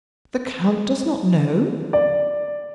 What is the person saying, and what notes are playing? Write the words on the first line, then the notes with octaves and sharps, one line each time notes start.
"The count does not know?"
D5